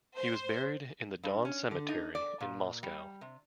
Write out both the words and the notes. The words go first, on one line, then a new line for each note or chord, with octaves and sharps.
He was buried in the Don Cemetery in Moscow.
C5
G2
C#4
D3
D#4
D5
A#2
G3
C3